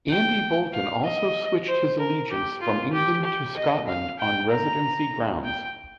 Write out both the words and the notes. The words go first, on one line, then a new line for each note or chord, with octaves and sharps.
Andy Boulton also switched his allegiance from England to Scotland on residency grounds.
G5
F5
D#5
C5
A#4
G4
F4
G4
G4
D#5
F5
G5
A#5
G5